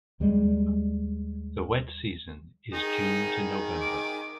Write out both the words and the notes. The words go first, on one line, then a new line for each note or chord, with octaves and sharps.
The wet season is June to November.
D#2 G3 G#3
D#3 D#4 G#4
D6